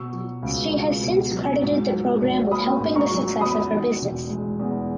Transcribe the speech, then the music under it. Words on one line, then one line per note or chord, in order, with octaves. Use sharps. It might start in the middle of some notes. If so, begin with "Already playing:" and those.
She has since credited the program with helping the success of her business.
Already playing: B2 C#6 E6
F#3
C#2
C#2
B2
F#3
G#2
F#3
G#1
A#3 B5 D#6
G#2
A#5 C#6
F#3
E2 B5 D#6
D#3
E1
G#3
E2